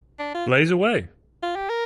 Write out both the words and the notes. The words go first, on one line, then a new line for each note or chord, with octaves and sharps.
Blaze Away!
D4
F4
F4
G4
A#4